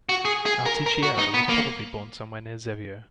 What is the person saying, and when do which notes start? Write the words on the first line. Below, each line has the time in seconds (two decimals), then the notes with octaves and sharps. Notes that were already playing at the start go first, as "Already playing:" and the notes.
Altichiero was probably born somewhere near Zevio.
0.09 F#4
0.25 G#4
0.46 G#4
0.66 A#4
0.86 A#4
1.03 F#4
1.18 D#4
1.34 B3
1.49 A#3